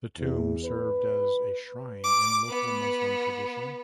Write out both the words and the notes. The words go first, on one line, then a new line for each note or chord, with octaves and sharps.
The tomb served as a shrine in local Muslim tradition.
E2
B4
D6
B3